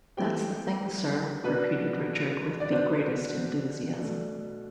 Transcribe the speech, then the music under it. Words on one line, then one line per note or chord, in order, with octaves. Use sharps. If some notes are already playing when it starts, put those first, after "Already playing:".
"That's the thing, sir," repeated Richard with the greatest enthusiasm.
E3 A3 C4 G4 G5
B2 B3 D4 B4
D5
B2 B3 D4 C5
B2 A3 D4